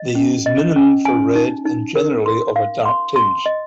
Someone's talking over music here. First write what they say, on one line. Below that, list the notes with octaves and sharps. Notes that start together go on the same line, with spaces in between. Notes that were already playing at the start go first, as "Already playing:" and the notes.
They used minium for red, and generally of a dark tinge.
Already playing: D#5
C#4
D#5
C#4
G#5
D#4
D#4
A#4
C6
F5
C6
C6
D#5